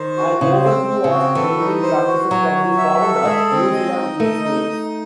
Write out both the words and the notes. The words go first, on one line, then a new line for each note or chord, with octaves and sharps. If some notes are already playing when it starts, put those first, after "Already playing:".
An overview of naming practices can be found at New Zealand place names.
Already playing: D#3 C5
F#4
C#3 C5
C4
C4
C#3
F#4
E3 A4
D#4
C5
F#4
F#3 C#5
F#4
E5
A4
G#3 G#4
C4
D#5
D#4
A3 D#5
D#4
D#4